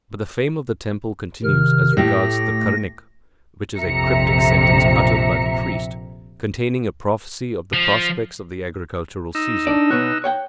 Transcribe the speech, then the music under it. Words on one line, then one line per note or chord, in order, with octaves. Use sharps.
But the fame of the temple continues as regards the Karanika, which is a cryptic sentence uttered by the priest, containing a prophecy of the prospects of the agricultural season.
C3 D#3 F6
A2 A3 G4 A#6
A#1 F2 C3 E5 A#5 C#7
F3
D#4 E6
D4 D5
B2 B3 C#5 F#6
C#5 F#5 G5